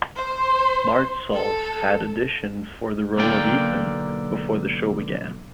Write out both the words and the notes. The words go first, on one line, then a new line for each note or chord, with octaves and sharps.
Martsolf had auditioned for the role of Ethan before the show began.
C5
A4
B1 D3 A#3 D5 G5